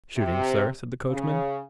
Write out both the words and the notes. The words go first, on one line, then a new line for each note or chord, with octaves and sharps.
'Shooting, sir?' said the coachman.
C3
C#3